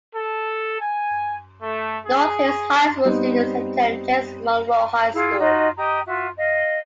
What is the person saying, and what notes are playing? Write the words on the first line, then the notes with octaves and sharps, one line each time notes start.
North Hills high school students attend James Monroe High School.
A4
G#5
A3
G#4
G3 B3 C4 D#4
E4 F4 G#4 F5
D#4 F4 F#4 D#5
G4 D#5 A#5 D#6
F4 F#4 E5
D#5 F5